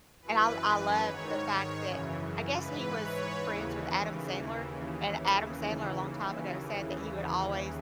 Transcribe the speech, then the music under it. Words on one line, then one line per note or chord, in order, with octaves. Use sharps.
And I l I love the fact that I guess he was friends with Adam Sandler, and Adam Sandler a long time ago said that he would always,
F#2 E3 B4
G#2 D#3 C#5
F#2 C#3 E3
G#2 E3 B4
C#5
D#2 C#3 E3